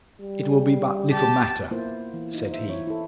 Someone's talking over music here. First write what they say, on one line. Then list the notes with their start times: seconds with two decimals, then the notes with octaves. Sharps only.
'It will be but little matter,' said he.
0.21 G3
1.12 G4 A5
1.71 A#3 B3 E4 F4 C5
2.14 E3
2.34 D#4 F4
2.49 C5 E5
2.68 E3 E4 C#5
2.87 E4 A4